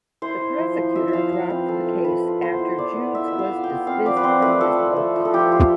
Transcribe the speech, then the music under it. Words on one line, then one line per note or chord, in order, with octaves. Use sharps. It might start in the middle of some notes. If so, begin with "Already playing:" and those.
The prosecutor dropped the case after Judes was dismissed from his post.
E4 C5
E4
F3
F3
F3 E5
E5
F3 F5
F3 F5
C4 B4
F3 A4
F4
F4 B4
F4
B3 C5
E4
B3 D5
B3
F4 E5
B3 E5
F5
F4
G5
B3
C4 F5
F3 D5
B4
C4 C5
A3 B4
F3 A4
F3
A3
F3
A4
F3 G4
F4